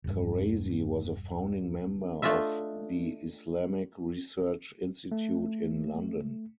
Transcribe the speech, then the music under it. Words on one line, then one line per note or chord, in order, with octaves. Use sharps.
Kharazi was a founding member of the Islamic Research Institute in London.
E1 G2
A3 D4 F4 D#5 E5
A3